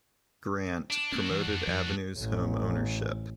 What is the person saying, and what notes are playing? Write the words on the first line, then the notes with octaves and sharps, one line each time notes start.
Grant, promoted Avenues home ownership.
D4
A#3 C#4 D4 F#4
E3
F2
F2 F3
A1